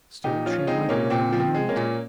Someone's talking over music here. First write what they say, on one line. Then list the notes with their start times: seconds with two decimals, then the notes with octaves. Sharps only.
Still she might arrive any moment.
0.24 A#2 D#4 G4
0.46 F3 C#4 F4
0.59 C#4
0.67 G#3 C4 D#4
0.89 A#2 A#3 C#4
1.10 A#2 C4
1.32 F3
1.40 C4
1.54 G#3
1.69 A#3 C#4
1.76 A#2